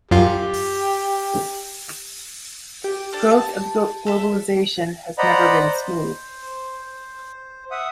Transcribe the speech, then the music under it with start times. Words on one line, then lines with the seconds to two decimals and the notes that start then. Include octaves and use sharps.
Growth of globalization has never been smooth.
0.11 F#2 F4 G4
2.84 G4
3.13 D4 A4
3.31 A5
4.06 A4 E5
5.18 C5 D5 D#5 F#5 A#5 B5
5.73 C5
7.71 E5 F#5 D#6